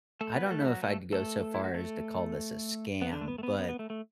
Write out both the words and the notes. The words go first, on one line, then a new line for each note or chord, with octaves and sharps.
I don't know if I'd go so far as to call this a scam, but
A3 A4
B3 B4
F#4
A3 A4
E4
F#3 F#4
A3 A4
A3 A4
E4
F#4
A3 A4
B3
D3 D4
A3
B3
A3
B3
B3
B3
A3
A3